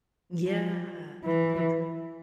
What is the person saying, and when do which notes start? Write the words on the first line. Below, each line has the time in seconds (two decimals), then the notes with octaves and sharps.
Yeah, that's so true.
0.46 F3
1.25 E3